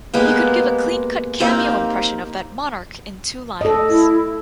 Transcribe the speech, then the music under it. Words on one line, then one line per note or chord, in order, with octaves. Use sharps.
He could give a clean-cut cameo impression of that monarch in two lines.
G#3 A#3 B3 G4
A#3 C4 D#4 G4
A4 D#5
E4